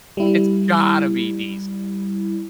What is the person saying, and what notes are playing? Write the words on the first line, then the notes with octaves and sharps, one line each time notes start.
it's gotta be decent.
G3 E4